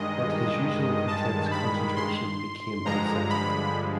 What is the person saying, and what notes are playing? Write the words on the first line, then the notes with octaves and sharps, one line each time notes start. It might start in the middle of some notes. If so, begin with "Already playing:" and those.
But his usual intense concentration became unsettled.
Already playing: G2 D#3 G#3 D#5
A5
B5
C6
G2 D3 F3 G#3 A#5
B5